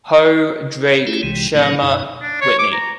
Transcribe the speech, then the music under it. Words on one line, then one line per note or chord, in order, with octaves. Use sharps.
Howe, Drake, Shurmer, Whitney.
A3 C#4 E4 F4 G4
C2 C3 E3 G#3
A#2 D#3 F#3 A#3 C#4 D#4
F#2 B2 D#4
D4
C#5
D6
A#5